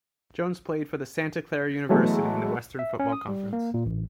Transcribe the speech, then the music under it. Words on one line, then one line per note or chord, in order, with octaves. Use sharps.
Jones played for Santa Clara University in the Western Football Conference.
E3 F#3 G#3 A3 B3
E5
C#4
D#6
G3
A#3
A#2
A1